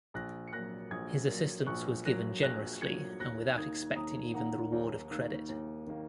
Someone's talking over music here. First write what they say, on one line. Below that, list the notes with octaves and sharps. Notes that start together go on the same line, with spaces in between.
His assistance was given generously and without expecting even the reward of credit.
A#1 F#6 A#6
C#7
A#2 F#3 F#6 A#6
A#1 D#6 G#6
A#2 F#3
A#1 C#6 F#6
A#2 F#3 F#6 A#6
A#1 F#6 A#6
A#2 F#3 G#6 C#7
D#2 F#6 A#6
D#3 A#3 D#6 G#6
D#2 A#5 D#6
D#3 A#3 F#5 A#5
D#2
D#3 A#3
D#2
D#3 A#3